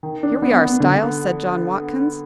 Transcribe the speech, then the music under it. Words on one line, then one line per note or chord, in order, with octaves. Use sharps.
"Here we are, Styles," said John Watkins.
D#3
D4
B3
B3
D3